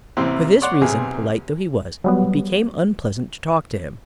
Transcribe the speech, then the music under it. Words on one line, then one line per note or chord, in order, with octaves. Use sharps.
For this reason, polite though he was, it became unpleasant to talk to him.
A1 C3 C4 E4 C6
C#5 D5 F#5 C6
B1 C3 G#4
F#3 G3 B3